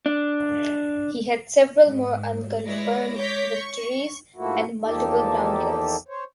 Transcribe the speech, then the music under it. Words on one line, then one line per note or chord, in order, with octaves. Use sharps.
He had several more unconfirmed victories and multiple ground kills.
D4
G#2
G#3 E4 B4 C#5 D5 A#6
C#5 D6 G6 A#6 B6
C#6
G#2 F3 A3 A#3 E4 F#4
E2 F3 A#3 D#4 G4 A4
C5 C#5